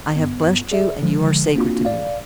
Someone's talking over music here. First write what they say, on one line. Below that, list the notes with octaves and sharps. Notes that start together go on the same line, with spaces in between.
I have blessed you and you are sacred to me.
G2 B3
G#4 D5 E5
D3 F3 G#3
A#3 C4 D4 F4 F#4
D5 F5